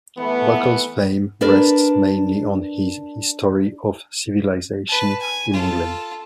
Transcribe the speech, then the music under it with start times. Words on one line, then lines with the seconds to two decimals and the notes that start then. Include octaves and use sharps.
Buckle's fame rests mainly on his "History of Civilization in England".
0.18 E3 A3 B3
1.41 D4 A#4 B4 D5
4.88 B4 A5
5.20 G#5
5.53 F4 A4